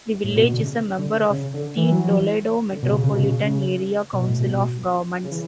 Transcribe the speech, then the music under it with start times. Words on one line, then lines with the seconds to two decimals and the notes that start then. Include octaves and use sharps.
The village is a member of the Toledo Metropolitan Area Council of Governments.
0.24 A2
0.36 B2
0.53 D3
0.59 C#3
0.98 D3
1.14 D3
1.30 C#3
1.54 D3
1.77 E3
1.91 F#3
2.05 E3
2.72 D3
2.83 B2
2.87 C#3
3.03 C#3
3.14 B2
3.19 C#3
3.43 C#3
4.13 B2
4.27 A2
4.40 B2
5.24 C#3
5.31 E3